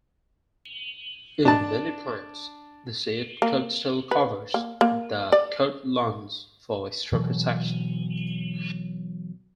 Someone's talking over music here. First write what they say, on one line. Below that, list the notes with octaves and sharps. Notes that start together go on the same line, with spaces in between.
In many plants, the seed coat still covers the cotyledons for extra protection.
D4 A5
A#3
B4
A#3
A#3
D5
B2 E3 F#3